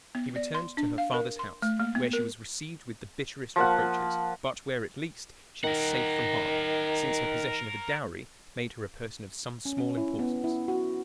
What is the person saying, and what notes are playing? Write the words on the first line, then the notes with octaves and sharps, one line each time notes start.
She returned to her father's house, where she was received with the bitterest reproaches, but where, at least, she was safe from harm, since her possession of a dowry made her a person of some small importance.
B3
D5
C6
D4
F5
A#4
C6
A3
A#3
B3
A#4
F3 A#3 F#5
D#3 A#4 F#5
C#4
C#4
E4
B3
E4
F#4